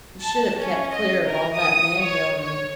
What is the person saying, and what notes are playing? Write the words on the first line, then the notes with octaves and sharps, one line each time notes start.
You should have kept clear of all that man-millinery.
A5
C#4
D#5
A#4
D#6
C#5
C#5